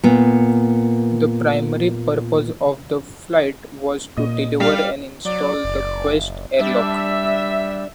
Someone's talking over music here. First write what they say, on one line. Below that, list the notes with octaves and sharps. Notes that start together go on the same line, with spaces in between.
The primary purpose of the flight was to deliver and install the Quest airlock.
A#2 B3
A#2 D#5
G3 F5
F#3 D5
F#1
G3 D4 E5